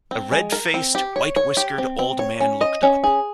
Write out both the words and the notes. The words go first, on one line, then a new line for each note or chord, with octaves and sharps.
A red-faced, white-whiskered old man looked up.
C4
G#3
A#4
C4
G4
C#5
C#5
G4
C4
C4
C#5
C#4
D#5
C#4
G#4